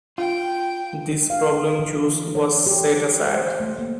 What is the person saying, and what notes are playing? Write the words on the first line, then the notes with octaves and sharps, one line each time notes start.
This problem juice was set aside.
F4 G5
F5
E3
C#5
G4
C5
A3
A#3